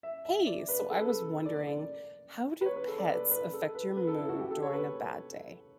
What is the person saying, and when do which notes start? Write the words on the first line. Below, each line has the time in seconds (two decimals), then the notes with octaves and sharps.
Hey! So I was wondering, how do pets affect your mood during a bad day?
0.03 E5
0.25 E5
0.47 D5
0.68 B4
0.90 A4
1.01 B4
1.06 A4
1.46 D5
1.56 D5
1.67 D5
2.61 B4
2.66 C#5
2.76 B4
2.88 A4
2.99 D5
3.09 B4
3.31 B4
3.53 A4
3.75 B4
3.97 B4
4.07 A4
4.18 E4
4.29 F#4
4.40 G4
4.51 A4
4.62 C#5
4.73 B4